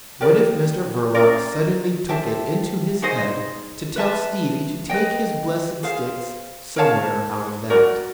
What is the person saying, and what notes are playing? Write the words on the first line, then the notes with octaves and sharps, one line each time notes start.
What if Mr Verloc suddenly took it into his head to tell Stevie to take his blessed sticks somewhere out of that?
G4 A#4 D5
C#4 F4 A#4 D5
G4 C5 E5 A5
D#4 G#4 C5 D#5
B4 E5 A5
B4 D#5 G5
G#4 C5 F5
A#4 C#5 F5 A5
F#4 A#4 D5